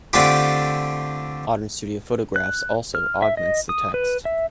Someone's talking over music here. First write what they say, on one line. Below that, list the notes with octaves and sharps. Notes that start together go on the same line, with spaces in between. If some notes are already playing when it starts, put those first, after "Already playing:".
Modern studio photographs also augments the text.
D3 A3 C4 D4 F4 G4
F#6
F6
E5
D#5
D#6
B4
E5